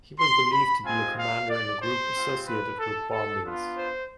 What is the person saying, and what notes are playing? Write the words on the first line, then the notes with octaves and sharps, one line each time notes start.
He was believed to be a commander in a group associated with bombings.
C6
B5
G#3 C4 F4 G#5
F5
D5
C5
G#3 C4 F4
B4
A4
A4
B3 D4 F4
C5